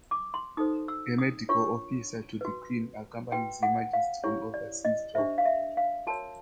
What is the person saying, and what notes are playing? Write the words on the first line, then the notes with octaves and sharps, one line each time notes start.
A Medical Officer to the Queen accompanies Her Majesty on overseas tour.
D6
C6
D#4 F#4 A4 C5 D#6
E6
D#6
D4 F4 A#4 C#5 C#6
F#4 B4
F#4 B4 G5
F#5
F5
C#4 E4 G4 C#5
D5
D#5
D4 G4 C5 E5
F5
E5
F5
F#4 A#4 C#5 A5